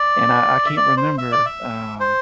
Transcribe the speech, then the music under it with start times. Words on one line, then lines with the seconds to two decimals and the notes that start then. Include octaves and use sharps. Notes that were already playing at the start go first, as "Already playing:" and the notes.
And I I can't remember, um
Already playing: D5
0.66 E5
0.77 D5
0.97 C5
1.18 E5
1.32 D5
1.46 E5
2.00 C5